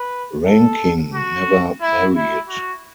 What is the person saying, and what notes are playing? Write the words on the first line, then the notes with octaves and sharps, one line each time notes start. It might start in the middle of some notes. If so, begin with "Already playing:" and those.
Rankin never married.
Already playing: B4
A4
F#4
E4
E4
F#4